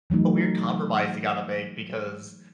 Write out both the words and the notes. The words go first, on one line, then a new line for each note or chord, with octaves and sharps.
a weird compromise you gotta make because,
E3 F#3 A3 D#4